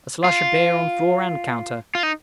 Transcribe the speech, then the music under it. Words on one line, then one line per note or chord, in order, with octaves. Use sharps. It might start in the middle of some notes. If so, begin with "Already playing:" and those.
A slush of beer on floor and counter.
F4
F4
D#4